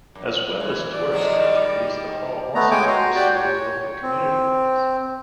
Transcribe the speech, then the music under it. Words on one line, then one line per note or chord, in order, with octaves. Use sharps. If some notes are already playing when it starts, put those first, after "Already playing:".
As well as tourist activities, the hall also hosts many local community events.
F#2
E3
D5
F3 F#3 G#3
D#3 G3
A3 B3 A#5
G#3 C#5 G5 G#5 D6
F#4 A#5 C6
F#4 G4 D5 G5
C#5
C4